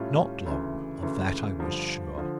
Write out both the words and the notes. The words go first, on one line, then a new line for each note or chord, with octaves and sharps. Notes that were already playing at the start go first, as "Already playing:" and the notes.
Not long; of that I was sure.
Already playing: A2 G3 C#4 F4
D2 C#3 E3
D2 C#3 E3
G2 D3 F3
D3 F3